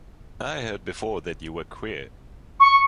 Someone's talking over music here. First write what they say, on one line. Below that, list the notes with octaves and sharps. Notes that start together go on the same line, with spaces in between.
I heard before that you were queer.
C#6